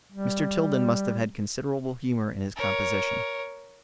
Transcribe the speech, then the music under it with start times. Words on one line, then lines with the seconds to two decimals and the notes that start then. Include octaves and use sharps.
Mr. Tilden must have had considerable humor in his composition.
0.12 G3
2.56 A#4 C#5